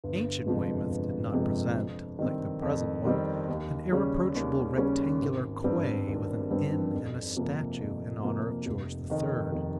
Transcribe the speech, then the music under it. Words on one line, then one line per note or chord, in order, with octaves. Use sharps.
Ancient Weymouth did not present, like the present one, an irreproachable rectangular quay, with an inn and a statue in honour of George III.
G1
F2 C3 F3 G#3
G1
F2 C3 F3 G#3
F2
D#3 G3 C4
F2
D#3 G3 C4
D#2
C#3 G3 C#4
D#2
C#3 G3 C#4
G#1
G2 G3 C4
G#1
G2 G3 C4
F2
C3 F3 A#3
F2
C3 F3 A#3
F1
F2 D#3
F1